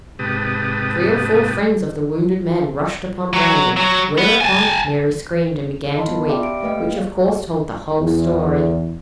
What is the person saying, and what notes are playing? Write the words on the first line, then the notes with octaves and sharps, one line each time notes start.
Three or four friends of the wounded man rushed upon Brandon; whereupon Mary screamed and began to weep, which of course told the whole story.
G#2 C3 G4 B4 A5 D#6
F#3
F#3
B3
G#5 A5
D#5 F5 A5 B5 C6
B3
D5 E5 F5 G5 B5 D6
G4 D7
A3 A#3 B4 D#5 F5 G5
B4
E2